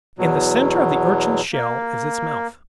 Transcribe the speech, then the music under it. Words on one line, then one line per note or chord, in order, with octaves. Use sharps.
In the centre of the Urchin's shell is its mouth.
E2 B2 F#3
A#3